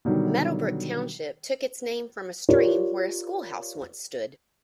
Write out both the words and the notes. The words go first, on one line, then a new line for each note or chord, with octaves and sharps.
Meadow Brook Township took its name from a stream where a schoolhouse once stood.
B2 D3 D#3 F#3 G3
F4 G4 A#4 C#5 D5